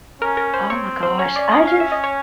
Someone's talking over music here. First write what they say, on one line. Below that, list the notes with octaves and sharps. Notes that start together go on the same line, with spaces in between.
Oh my gosh, I just
C#4 A#4
A#4
C5
C4 C#5
C5
C#4 C#5
D5
D#5
F5
E5
D#5
C#5